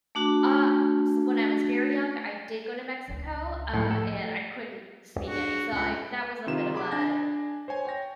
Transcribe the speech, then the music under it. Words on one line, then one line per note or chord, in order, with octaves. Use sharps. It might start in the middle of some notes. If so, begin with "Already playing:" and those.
Ah, so when I was very young, I did go to Mexico, uh, and I couldn't speak any. So I that was a bit of a
A3 D4 F#4
C#2 D4
A2 F3 A3
A4
D4 F#4 G#4
C#2 F#5 B5
C3 D#3 F4 E7
G#4 B5 D6
D4 G#5 A#6
C5 C#5 G#5
C#5 G5 A#6